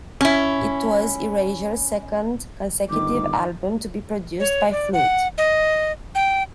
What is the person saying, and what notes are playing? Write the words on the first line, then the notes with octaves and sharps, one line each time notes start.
It was Erasure's second consecutive album to be produced by Flood.
C#4 E4
G1 D#3 D6
C#5
D5
F#5
D#5
G5